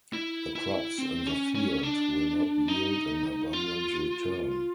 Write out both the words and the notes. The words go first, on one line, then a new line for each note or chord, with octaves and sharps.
The crops in the field will not yield an abundant return.
E4
E4
C4
C#4
C#4
D4
D#4
F4